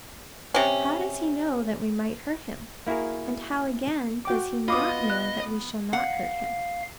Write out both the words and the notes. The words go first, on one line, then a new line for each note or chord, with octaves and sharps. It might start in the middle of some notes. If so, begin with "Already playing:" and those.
How does he know that we might hurt him? and how again does he not know that we shall not hurt him?
C3 C#4
A#3 E4 F#4 G#4 A#4
F#4 G5 D6
B3 F4 D#5 F5 B5 D6 D#6
F#6
F5 F#5